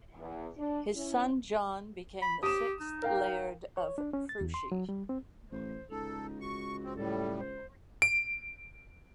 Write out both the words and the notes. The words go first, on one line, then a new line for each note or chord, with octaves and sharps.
His son John became the sixth laird of Freuchie.
E2
D4
C#4 E4
B5
G4 D#6 E7
D#4
A#4 F5 G5
C#5
D4
C#4
A6
E2
C6
F#3
G3
C4
A1 C5
C#2 D#4 A4
F#4 C#6
C4
A2 G3 A4
C5
D7